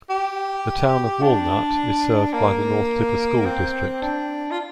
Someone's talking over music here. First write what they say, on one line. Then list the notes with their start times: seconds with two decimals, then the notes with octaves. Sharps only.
The Town of Walnut is served by the North Tippah School District.
0.10 G4
1.22 D4
2.33 A#3
3.46 C4
4.02 D4
4.51 F4